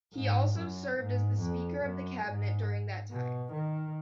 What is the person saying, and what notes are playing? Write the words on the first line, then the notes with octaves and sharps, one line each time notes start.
He also served as the speaker of the cabinet during that time.
G#2
F#2
G#2
F2
F#2
G#2
B2
D#3